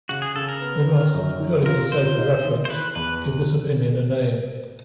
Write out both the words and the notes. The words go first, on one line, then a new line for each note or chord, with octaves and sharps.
We must, purely for the sake of reference, give this opinion a name.
C#3 F#4
G#4
C#3 A4
A#4
B3
D#3
F#2
D#3
F4 A#4
F4 C5
D#4
D#3
C5
E3 B4
E2 B4